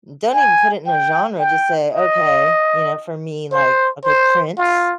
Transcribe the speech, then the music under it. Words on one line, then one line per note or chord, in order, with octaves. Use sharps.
don't even put it in a genre. Just say, "Okay," you know, for me, like okay; Prince,
G#5
G5
G5
D#5
C5
C5
F4